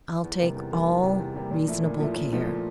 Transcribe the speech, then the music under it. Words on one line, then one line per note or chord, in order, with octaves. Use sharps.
"I'll take all reasonable care."
E2
C3 G3 A#3
E2
C3 G3 A#3
E2
C3 G3 A#3
E2
C3 G3 A#3
A#2
F3 A3 E4
A#2
F3 A3 E4
A#2
F3 A3 E4
A#2